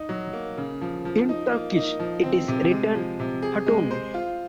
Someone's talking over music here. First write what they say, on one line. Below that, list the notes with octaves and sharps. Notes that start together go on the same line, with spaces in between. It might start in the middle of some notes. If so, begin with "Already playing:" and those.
In Turkish it is written hatun.
Already playing: D#4
F#3
A#3
C#3
F3
F3
D#4
A#3
D#4
F3
C4
C3
G#3
F3
C3
G#4
G#3
C5
F4